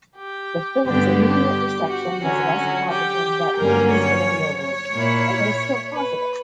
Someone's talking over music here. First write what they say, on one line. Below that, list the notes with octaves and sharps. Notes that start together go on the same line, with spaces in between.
The film's immediate reception was less positive that Murphy's earlier works, although still positive.
G4
G2 D3 G3 B3 D4 G4
G4
F#4
D3 F#3 C#4
F#4
G4
G2 D3 F#3 A#3 C#4 A#4
C#5
C#5
A#2 A#3 E4
B4